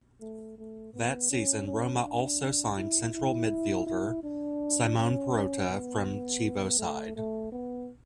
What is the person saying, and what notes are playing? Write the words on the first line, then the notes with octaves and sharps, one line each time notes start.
That season, Roma also signed central midfielder Simone Perrotta from Chievo side.
A3
A3
B3
C#4
C#4
D4
E4
E4
E4
D4
C#4
B3
A3
A3
B3